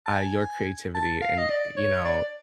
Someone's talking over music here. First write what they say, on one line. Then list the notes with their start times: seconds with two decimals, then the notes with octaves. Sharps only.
uh, your creativity and, you know,
0.06 A5
0.12 G#5
0.95 A5
1.21 F5
1.38 D#5
1.49 D5
1.77 C#5
2.05 D5